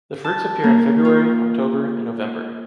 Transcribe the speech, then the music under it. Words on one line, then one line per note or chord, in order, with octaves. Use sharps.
The fruits appear in February, October, and November.
A5
A#3
F4